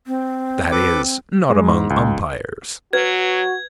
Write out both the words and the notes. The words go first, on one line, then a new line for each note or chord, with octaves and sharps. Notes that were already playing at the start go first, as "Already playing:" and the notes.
That is, not among umpires.
C4
A4 B4 D6
G#3
G#2
C#2
F#3 F#4 B4 G#6